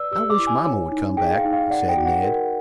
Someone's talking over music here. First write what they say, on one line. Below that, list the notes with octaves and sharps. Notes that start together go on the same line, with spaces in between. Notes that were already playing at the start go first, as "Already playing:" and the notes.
"I wish mamma would come back," said Ned.
Already playing: B4 D5 E6
G4 E6
D6
E4
G#5
C#5
D#4
G#4 G5
F5
D#4
F5
D5 F#5
G5
F#4
F#5
A#4